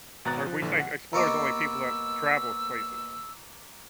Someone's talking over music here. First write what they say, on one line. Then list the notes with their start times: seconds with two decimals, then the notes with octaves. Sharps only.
Or are we saying explorers only people that travels places.
0.25 G#1 B2 A#5 F#6 A6
0.46 F3
0.62 A#1 D3 E3
0.80 F#5
1.13 D#2 B3 D#5 A#5 C#6 D6 E6